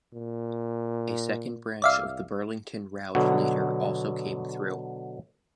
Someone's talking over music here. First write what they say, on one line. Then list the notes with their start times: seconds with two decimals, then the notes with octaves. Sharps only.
A second branch of the Burlington Route later also came through.
0.13 A#2
1.82 C2 D5 E5 F5
3.15 B2 D3 F#3